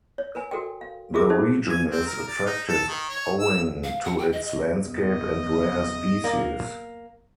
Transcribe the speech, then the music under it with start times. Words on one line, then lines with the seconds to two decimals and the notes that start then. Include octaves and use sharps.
The region is attractive owing to its landscape and rare species.
0.18 C#5
0.35 A#4 B4 G#5
0.51 F#4 A4 A#4 G5
0.81 F5
1.14 F4 G4 G#4 A#4 E5 D6
1.30 D#4 A4 C5
1.69 G#5
1.92 C4
2.07 A#4
2.28 D5
2.46 D#4
2.68 A4
2.88 D#3
3.09 C#5
3.40 E6
3.84 F5
4.04 F#5
4.18 G5
4.33 D#5
4.45 D#5
4.85 F#1 E2 D#5
6.24 A#3 D5 A#5 D6